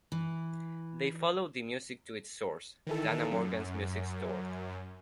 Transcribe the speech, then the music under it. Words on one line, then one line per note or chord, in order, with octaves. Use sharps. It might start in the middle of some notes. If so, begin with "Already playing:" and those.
They followed the music to its source, Dana Morgan's Music Store.
E3
D#3 E3 A4
F#2